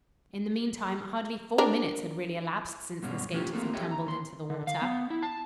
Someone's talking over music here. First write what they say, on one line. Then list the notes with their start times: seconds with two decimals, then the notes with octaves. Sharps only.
In the meantime hardly four minutes had really elapsed since the skaters had tumbled into the water.
1.58 D4 A#4
3.03 G2 B2 G#3 C#4
3.33 F3 A3 C#4 F4 G4
3.53 A3 A#3 C4 G#4 A4
3.73 G4 A4 C#5 D#5 E5 G5
3.91 A#5
4.07 D#2 C6
4.50 D3
4.67 F5
4.82 B3
5.10 E4
5.23 A5